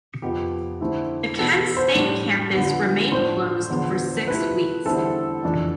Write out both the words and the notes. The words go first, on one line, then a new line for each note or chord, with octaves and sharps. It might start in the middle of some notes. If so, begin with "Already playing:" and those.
The Kent State campus remained closed for six weeks.
F2 C3 F3 B3 G4
D3 A3 C4 E4
E2 B2 B3 A4
C5
A2 G3 D4
D3 F3 B3
A2 F3 A3 D4 C5
E2 D3 F3 B3
C3 F3 A3 E4 B4
E2 D3 G3 C4 E4 A4
F2 E3 A3 D4